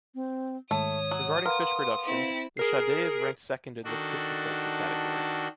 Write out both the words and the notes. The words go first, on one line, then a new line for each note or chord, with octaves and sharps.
Regarding fish production, le Chadet is ranked second in the pisciculture category.
C4
G#2 D#3 A3 C#5 D#6
F#3
A#4 B4 F5 F#5 C6
C4 E4
G#4 A#4 C7
D#3 D4 F#4 A4